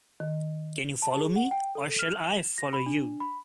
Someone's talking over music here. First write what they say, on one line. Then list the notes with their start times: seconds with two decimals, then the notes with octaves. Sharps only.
Can you follow me or shall I follow you?
0.20 D#3
1.02 A5
1.17 G#4
1.36 F#5
1.51 G5
1.75 A4
1.99 F6
2.28 E7
2.58 A#6
2.73 B5
2.86 D4
3.20 B5